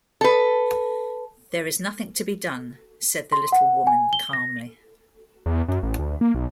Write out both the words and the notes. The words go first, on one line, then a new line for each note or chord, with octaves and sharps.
"There is nothing to be done," said the little woman, calmly.
A4 B4
C6
F#5
G#5
G7
A#6
E2
F#2
A1
D2
A#3
B1